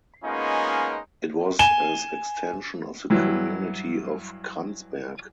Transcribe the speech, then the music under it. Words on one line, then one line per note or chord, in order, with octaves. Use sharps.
It was as extension of the community of Kranzberg.
G#3 A#3 B3 C#4 D#4 F4
G#5 E7 G7
G2 E3 F#3 E4